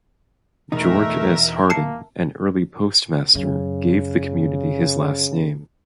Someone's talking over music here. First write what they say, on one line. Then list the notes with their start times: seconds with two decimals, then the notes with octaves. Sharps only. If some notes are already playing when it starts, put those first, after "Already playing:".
George S. Harden, an early postmaster, gave the community his last name.
0.72 E2 B2 A3 D#4 A#4 E5
1.70 A#3 A5 C7 C#7
3.35 F#2 C#3